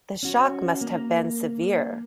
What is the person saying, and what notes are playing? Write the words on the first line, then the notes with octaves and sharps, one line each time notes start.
The shock must have been severe.
C#4 F#4
A#3